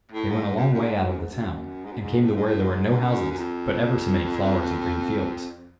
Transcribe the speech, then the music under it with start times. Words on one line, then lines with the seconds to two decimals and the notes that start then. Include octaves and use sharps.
They went a long way out of the town, and came to where there were no houses, but ever so many flowers and green fields.
0.11 A2
0.30 G#2
0.56 F#2
0.73 F#2
0.81 G#2
1.07 F#2
1.19 G#2
1.32 F#2
1.85 G#2
1.92 F#2
1.99 G#2
2.23 A2
2.35 G#2
2.46 A2
2.61 G#2
2.99 F#2
3.31 F#2
3.38 F2